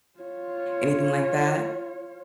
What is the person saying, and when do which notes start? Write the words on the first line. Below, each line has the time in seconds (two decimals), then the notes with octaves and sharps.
anything like that?
0.19 F4 C#5